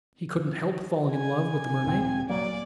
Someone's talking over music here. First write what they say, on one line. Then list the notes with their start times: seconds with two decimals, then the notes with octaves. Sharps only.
"He couldn't help falling in love with the mermaid."
1.12 G#5
1.85 D1 A#2 C4
2.29 D#1 F#3 A#3 D5